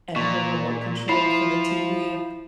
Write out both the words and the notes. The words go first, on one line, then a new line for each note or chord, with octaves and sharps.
and her remote control for the TV.
A#2 C#6
F3 E4 B5 C7